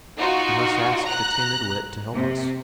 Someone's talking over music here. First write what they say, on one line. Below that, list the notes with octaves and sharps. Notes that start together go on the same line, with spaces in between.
"We must ask Getanittowit to help us."
D#4 F4 F#4
A#5 F#6
C3